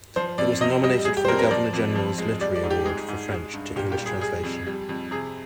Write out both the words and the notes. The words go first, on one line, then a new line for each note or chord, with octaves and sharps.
It was nominated for the Governor General's Literary Award for French to English translation.
F3 C5
F2 D5
C3 D#5
G3 D#5
G3 G#4
G4
C5
F2 A#4
A#4
F3 D5
F2
F3
G#3
G3 D5
D5
G#2
G4
G#3 G#4
G#2
G#3
G2
A#2 G4
G4
G3
G#4
G3 G#4
F2
G3
F2
C3 G#4